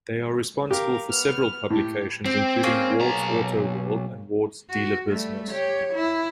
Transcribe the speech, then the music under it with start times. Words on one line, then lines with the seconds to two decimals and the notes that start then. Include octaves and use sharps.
They are responsible for several publications including, "Ward's AutoWorld", and "Ward's Dealer Business".
0.71 G4 A#4 F5
1.10 B3 F6
1.70 A2 G4
2.26 C4 G4
2.63 A#3 C#4 G#4
3.00 B1 A#5
4.71 F#4
5.09 G3 A3
5.52 G4 C#5
5.94 E4